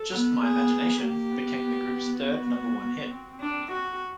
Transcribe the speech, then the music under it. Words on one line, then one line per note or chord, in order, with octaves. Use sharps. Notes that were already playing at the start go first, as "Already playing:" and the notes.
"Just My Imagination" became the group's third number-one hit.
Already playing: A4
B3
G#4
A#3 G4
B3
B3
F#4
B3
C4
D4
F#4